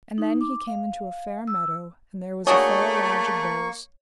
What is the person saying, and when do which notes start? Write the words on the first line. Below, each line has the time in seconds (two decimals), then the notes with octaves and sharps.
And then he came into a fair meadow, and there was a fair lodge of boughs.
0.18 D#4
0.41 D6
0.67 F5
1.47 E6
2.47 A3 A#3 D4 F#4 G#4 C#5 C#6